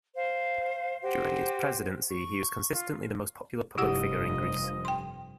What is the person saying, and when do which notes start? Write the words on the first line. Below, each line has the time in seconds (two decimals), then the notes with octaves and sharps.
During his presidency, he was consistently the most popular public figure in Greece.
0.15 C5 F5
1.02 F#4 G4 C5
2.09 C#6
2.70 F4
3.78 F1 G2 F3 E4 G4 D#5 F#5
4.85 G5 C6